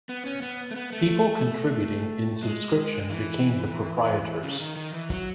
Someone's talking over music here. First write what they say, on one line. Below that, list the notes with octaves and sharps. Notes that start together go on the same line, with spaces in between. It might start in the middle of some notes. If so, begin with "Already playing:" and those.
People contributing in subscription became the proprietors.
B3
C#4
B3
A3
B3
A3
G#3
E3
C#3
D#3
D#3
E3
F#3